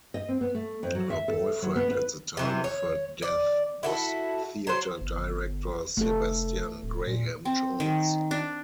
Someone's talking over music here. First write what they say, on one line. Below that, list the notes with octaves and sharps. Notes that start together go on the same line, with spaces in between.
Her boyfriend at the time of her death was theatre director Sebastian Graham-Jones.
D#5
C4
B3
A3
F2
F#3
E5
A4
F#3
B3
B4
C3 E3
C#5
D5
E4 F#4 A4
F#3 C5
G1
F1 A3 A4
D1
A#2
C4
D#3
D4